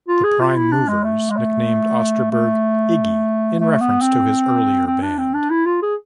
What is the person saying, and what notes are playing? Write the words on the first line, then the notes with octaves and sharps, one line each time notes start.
The Prime Movers nicknamed Osterberg "Iggy" in reference to his earlier band.
F4
G#4
F4
E4
D4
G#3
A3
G#3
A3
A3
A3
B3
C4
C4
D4
C4
D4
E4
F4
G#4